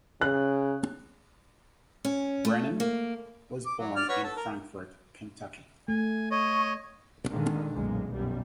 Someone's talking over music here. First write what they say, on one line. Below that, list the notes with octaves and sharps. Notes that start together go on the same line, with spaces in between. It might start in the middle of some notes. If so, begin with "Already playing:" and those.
Brenham was born in Frankfort, Kentucky.
C#3 F#6
C#4
A3
A#3
D6
F#3
D5 F6
F#4 B4 C#5
A4 A5
A#4
A3 G#5
C#5 D#5 C#6
A#2 D3 D#3 G#3
B1 F#2 A#2 G#3
B1 F#2 G3